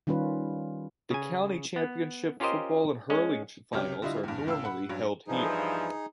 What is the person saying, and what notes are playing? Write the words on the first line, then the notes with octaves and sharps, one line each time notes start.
The County Championship football and hurling finals are normally held here.
D#3 G3 C#4 F4 B4
C#3 G#5
B3
C#4 F4 G4 A#4 C5 D#5
G#3 C#4
C#2 C3 F#3 C#4 G4 F6
D3 G3 E4 F4 D#5
E2 G2
C#2 A2 F5 E6
F#5 B5
G2 F#3 C#4
G2 E3 F3 D#4 G#4